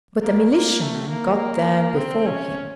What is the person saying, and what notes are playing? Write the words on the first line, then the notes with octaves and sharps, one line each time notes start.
But a militiaman got there before him.
A#3
A#3
A3
A#3
C4
C#4